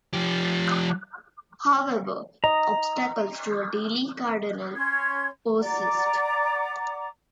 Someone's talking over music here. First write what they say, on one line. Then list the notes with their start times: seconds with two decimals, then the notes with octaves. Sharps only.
However, obstacles to a daily "Cardinal" persist.
0.13 F3 G4
2.44 D#5 A#5
4.75 C#4 C#5 C6 G#6
5.59 D5 F#5 A#5 D6